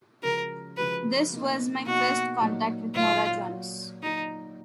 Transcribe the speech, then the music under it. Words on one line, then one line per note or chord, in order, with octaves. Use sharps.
This was my first contact with Norah Jones.
C#3 F3 G#3 C#4 F#4 A#4
C#3 F3 G#3 C#4 F#4 B4
B2 A#3 D#4
B2 A#3 D#4 F#4
A#2 F#3 A#3 D#4
A#2 F#3 A#3 D#4 F4
F#3 A#3 F4
F#3 A#3 D#4 F4